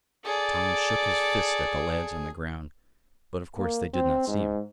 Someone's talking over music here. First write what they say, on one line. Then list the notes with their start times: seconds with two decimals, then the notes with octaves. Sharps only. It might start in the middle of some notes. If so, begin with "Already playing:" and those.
Tom shook his fist at the lads on the ground, but of course they did not see him.
0.25 G#4 A4 D5
3.58 A#3
3.94 C4
4.27 G#2